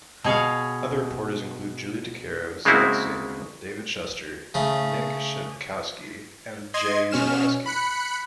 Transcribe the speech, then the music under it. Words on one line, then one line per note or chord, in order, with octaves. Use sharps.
Other reporters include Julie Dicaro, Zach Zaidman, David Schuster, Nick Shepkowski, and Jay Zawaski.
B2 G#4 C#5 F5
C#3 G#3 A#3 C4 E4 F#4
C#3 A3 C#4
D#5 C6 G#6
B2 C#4 F6 E7
B5 F#6 C#7